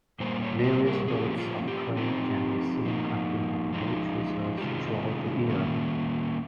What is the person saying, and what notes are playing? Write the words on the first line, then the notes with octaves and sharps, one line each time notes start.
Various birds of prey can be seen hunting on both reserves throughout the year.
A#2 G3 A#3 C5
C#5
C#5
C5
A#4
F3 A#3 C#4 G#4
G4
F4
G4
F3 C4 D#4 G4
F3 A#3 D#4
F3 G#3 D#4
G4
C3 D#3 G#3 F4
D#3 A#3 C#4